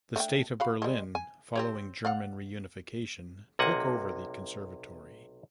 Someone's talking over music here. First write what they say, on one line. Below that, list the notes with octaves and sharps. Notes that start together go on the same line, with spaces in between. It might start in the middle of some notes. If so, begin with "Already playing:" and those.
The state of Berlin following German Reunification took over the conservatory.
A3 D4 G5
F#4 F5 B5
G3 G#3
G#5
C4 G4 C#5
D5 F5 F#5
B1 C3 A#3 F#5 G#5